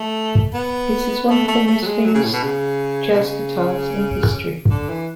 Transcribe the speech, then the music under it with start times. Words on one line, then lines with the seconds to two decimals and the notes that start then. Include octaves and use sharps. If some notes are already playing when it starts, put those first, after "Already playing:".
It is one of the most famous jazz guitars in history.
Already playing: A3
0.54 B3
1.30 A3
1.48 A3
1.67 A3
1.82 F#3
1.86 G#3
2.05 F#3
2.14 C#3
2.24 A2
2.33 B2
2.43 C#3
3.12 B2
3.19 C#3
4.70 D3
4.90 E3